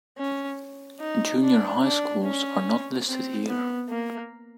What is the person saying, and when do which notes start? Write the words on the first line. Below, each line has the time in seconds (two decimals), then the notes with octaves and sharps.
Junior High schools are not listed here.
0.18 C#4
1.00 D#4
1.42 D4
1.83 D4
2.24 C#4
3.06 C4
3.47 B3
3.89 A#3